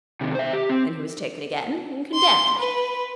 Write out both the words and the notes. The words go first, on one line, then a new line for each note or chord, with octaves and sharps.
Then he was taken again, and condemned.
C3 D#3
C5 E5
G4
C4
C6
B4